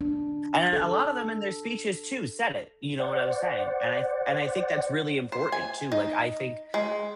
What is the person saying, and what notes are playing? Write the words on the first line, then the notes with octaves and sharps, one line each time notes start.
And a lot of them in their speeches too said it, you know what I was saying, and I and I think that's really important too, like I think
D4
A4
C5 D5 F#5
C5
G#5
D#4
G#3